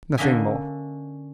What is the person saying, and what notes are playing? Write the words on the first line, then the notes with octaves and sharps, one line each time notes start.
"Nothing more."
D3 A#3 C#4 D#5 E5 G#5